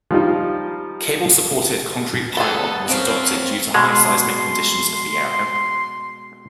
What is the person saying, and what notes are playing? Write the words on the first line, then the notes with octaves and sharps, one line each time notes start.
Cable supported concrete pylon was adopted due to high seismic conditions of the area.
F3 G3 D#4 F4
B3 G#4 A4
A#3 C4 C#4 C5 F5
B2 G#3 C6